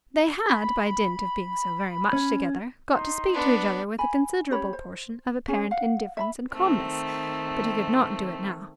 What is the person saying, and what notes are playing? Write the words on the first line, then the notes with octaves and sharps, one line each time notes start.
They had by dint of being so very much together, got to speak to each other with a considerable portion of apparent indifference and calmness; but he could not do it now.
B5
C#4
D#4 C6
B3 D4
G#5 B5
C#4 G4 C#5 B5
C5
C#4 G#4
F5 F#5
E5 A#5 B5
D#3 A3 C4